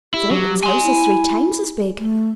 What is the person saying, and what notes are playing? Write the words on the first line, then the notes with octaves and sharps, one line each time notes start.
Thornton's house is three times as big.'
E4 G4
F#3
G#5 C6
E4
A3